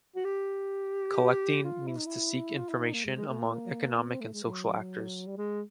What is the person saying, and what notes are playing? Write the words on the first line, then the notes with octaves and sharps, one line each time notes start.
"Collecting" means to seek information among economic and social actors.
F#4
G4
F4
E4
D#4
E4
F4
E4
D#4
A#3
G#3
G#3
A3
A#3
B3
C4
A3
G#3
F#3
G3
G#3